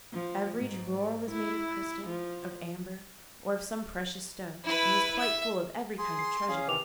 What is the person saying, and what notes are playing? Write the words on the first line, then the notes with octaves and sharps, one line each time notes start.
Every drawer was made of crystal, of amber, or of some precious stone, and was quite full of every kind of treasure.
F3
G#2
E4
F3
E4 B4
E5
G#4 C6
C7
C#4 G#4 F5
C3 D#3 E3 B4 D6 F7